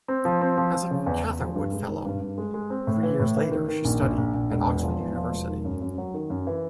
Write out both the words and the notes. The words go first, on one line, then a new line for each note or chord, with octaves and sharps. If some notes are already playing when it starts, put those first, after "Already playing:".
As a Catherwood Fellow three years later, she studied at Oxford University.
C4
F3
C4
F3
F3
C#3
E2
E2
F3
G2
G#3
D#3
G2
G2
G#3
G#3
C4
A2
E3
A2
E3
D#3
D#3
A#1
A#1
A#1
A#1
E1
E2
F3
E2
F3
E1
D#3
F#2
F#2
F#3
D#3
F#2
E3